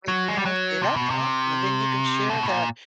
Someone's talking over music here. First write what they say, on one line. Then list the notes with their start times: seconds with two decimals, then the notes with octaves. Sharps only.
Exactly, that's awesome and then you can share that
0.08 F#3
0.29 G#3
0.37 G3
0.45 F#3
0.82 C3
0.96 B2
1.10 C3
2.30 B2
2.43 A2
2.48 A#2